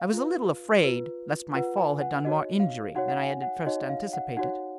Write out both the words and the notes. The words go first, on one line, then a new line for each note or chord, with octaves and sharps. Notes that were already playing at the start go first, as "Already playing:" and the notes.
I was a little afraid lest my fall had done more injury than I had at first anticipated.
Already playing: F5
F4 B4
F4 B4
F4 B4 F#5
G#5
F#5
D#4 F#4 C#5 D#5
F5
D#4 F#4 C#5 F#5
F#5
G#5
F#5
D#4 F#4 C#5 D#5
F5
F#5
D#4 F#4 C#5 F#5